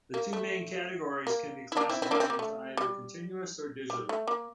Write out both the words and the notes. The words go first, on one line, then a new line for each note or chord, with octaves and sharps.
The two main categories can be classified into either continuous or digital.
A#3
A3
A#3
E4
A#3 D4
C4 E4
C4 E4
A#3 D4
C4
A#3
A3
G3
G3
A3
A#3